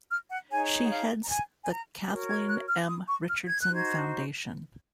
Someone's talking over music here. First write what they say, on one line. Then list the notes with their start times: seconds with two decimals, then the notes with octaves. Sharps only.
She heads the Kathleen M. Richardson Foundation.
0.11 F6
0.31 F#5
0.51 D#4 G#4 C#5 G#5
0.86 F#5
0.91 F5
1.23 A#5
1.30 G#5
1.63 G#5
1.70 A#5
2.09 F#4 A#4 C#5
2.29 G#6
2.49 F#6
2.69 F6
2.88 D#6
3.09 C#6
3.28 F6
3.48 G#6
3.61 F#6
3.68 D#4 F#4 C5
3.75 G#6